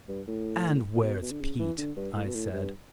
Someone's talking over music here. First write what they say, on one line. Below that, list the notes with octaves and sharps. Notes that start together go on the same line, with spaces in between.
"And where's Pete?" I said.
G2
A2
A2
B2
B2
D3
C#3
E3
D3
G2
A2
B2
A2
G2